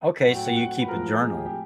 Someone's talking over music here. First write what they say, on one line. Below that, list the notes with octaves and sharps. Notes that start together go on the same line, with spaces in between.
Okay, so you keep a journal.
A2 F#3 A3 F#5
G5
F#5
F#5
B4
A2 F3 G#3 A#4
G#4
G4
G#4
G4